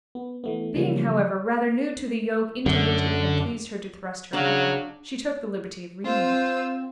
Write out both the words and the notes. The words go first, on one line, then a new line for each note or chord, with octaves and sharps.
Being, however, rather new to the yoke into which it had pleased her to thrust her head, she took the liberty of reading it.
B3
E3 A3 B3
C#3 E3 F3 G3 A#3 C#4
F#2 D3
C#3 F#3 D4 F5 G5
C4 F4 C5 E6